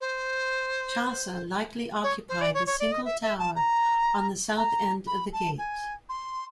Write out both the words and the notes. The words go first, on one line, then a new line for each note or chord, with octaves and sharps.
Chaucer likely occupied the single tower on the south end of the gate.
C5
C#5
C5
D5
C#5
C#5
D5
D#5
E5
E5
A5
A#5
A#5
B5
A5
G#5
C6